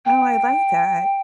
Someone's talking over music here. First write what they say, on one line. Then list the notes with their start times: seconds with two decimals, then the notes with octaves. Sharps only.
Oh, I like that.
0.06 G5